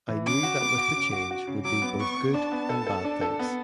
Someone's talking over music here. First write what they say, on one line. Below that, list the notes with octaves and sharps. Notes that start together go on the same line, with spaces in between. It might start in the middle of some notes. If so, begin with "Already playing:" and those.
I knew that with the change would be both good and bad things.
E3
C#3 D6
F#4
B3
F#4
C#3
F#4
F#4
C#3
F#3 D6
B3
B3 C#6
B3
D4 A5
B3
A4
A4
D4
A4
B3